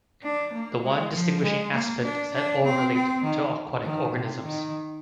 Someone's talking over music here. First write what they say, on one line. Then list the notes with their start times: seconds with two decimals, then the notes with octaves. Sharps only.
The one distinguishing aspect is that all relate to aquatic organisms.
0.23 D4
0.53 A#3
0.84 G#3
1.13 F3
1.44 G#3
1.74 A#3
2.04 D4
2.34 D4
2.64 C4
2.94 C4
3.24 D#3
3.84 D#3
4.14 C3
4.44 D#3